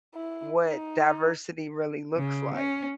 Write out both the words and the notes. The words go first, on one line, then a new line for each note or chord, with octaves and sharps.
what diversity really looks like,
E4
D#4
C#3
C#4